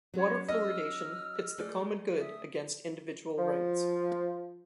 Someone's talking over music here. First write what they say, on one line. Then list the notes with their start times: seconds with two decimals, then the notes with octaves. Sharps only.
Water fluoridation pits the common good against individual rights.
0.14 F#3 C#4 C5 C#5
0.49 D#5 E6 F6
1.58 A3 G#4 D5
2.18 E5 D#6
3.38 F3